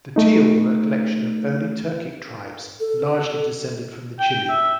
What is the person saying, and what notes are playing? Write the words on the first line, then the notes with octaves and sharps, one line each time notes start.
The Tiele were a collection of early Turkic tribes, largely descended from the Chile.
A3 D#4
A4
G5
E5